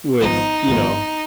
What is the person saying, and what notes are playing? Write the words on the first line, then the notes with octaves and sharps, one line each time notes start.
with, you know
G#1 G#2 F3 B3 D#4
G#1 G#2 F3 B3